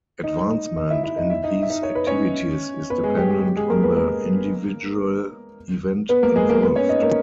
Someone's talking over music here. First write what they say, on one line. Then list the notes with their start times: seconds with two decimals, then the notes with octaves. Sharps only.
Advancement in these activities is dependent on the individual event involved.
0.23 D#4 D#5
0.77 D#4 D#5
0.90 E4 E5
1.04 E4 E5
1.17 D#4 D#5
1.30 E4 E5
1.44 D#4 D#5
1.62 E5
1.70 D#4 D#5
1.83 C#5
1.95 B4
2.07 C#4 C#5
2.90 B3 B4
3.03 G#3 G#4
3.17 G4
3.30 G4
3.43 G4
3.57 G#3 G#4
3.70 A#3 A#4
3.83 B3 B4
3.97 A#3 A#4
6.09 B3 B4
6.22 A#3 A#4
6.36 G#3 G#4
6.49 A#3 A#4
6.63 B3 B4
6.76 C#4 C#5
6.89 D#4 D#5
7.02 A#3 A#4